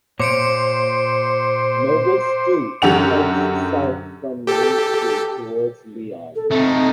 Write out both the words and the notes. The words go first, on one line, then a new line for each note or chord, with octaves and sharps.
Noble Street heads south from Main Street toward Lyons.
A#2 C5 C#5 D6 C#7 D7
F#2 D3 G4 F#5 F7
G4 A4
A4
A3 C4 D#4